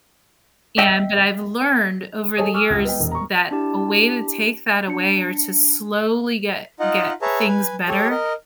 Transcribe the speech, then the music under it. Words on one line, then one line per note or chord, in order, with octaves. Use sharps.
And but I've learned over the years that a way to take that away, or to slowly get get things better
D#5 E5 G5
G#4 A4 C#5 D#5 D#6
G#5 C#6 D6 E6 F6
C#2
B3 D#5 G5
E1
A#5 C#6
D4 E4 G4 A5
D4 C#7
D#4 F4 D#5 F#5
G#4 B4 C#5 E5 A5 A#5
B4 G#5
G4 A4 C#5
A#4 D#5